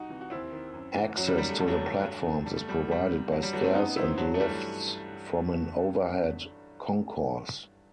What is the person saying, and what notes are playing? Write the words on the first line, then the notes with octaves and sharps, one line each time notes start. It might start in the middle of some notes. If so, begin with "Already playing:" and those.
Access to the platforms is provided by stairs and lifts from an overhead concourse.
Already playing: C2 D#4 F#4
C3 E3
F#4
D#2 C4 E4
D#3
F#2
E3
F#2 F#3
G3
D#3 G3
A3
E2 G3
F#3 A3
D#3
G2
D#3
E2 G3
A3
B2 G3
A3
C2 G3
C3 D#3
G2 F#3
G3
E3 F#3 A3
A3 C4
F#2 B3 D#4
D#3 C4 E4
G2 F#3
A3
E3 G3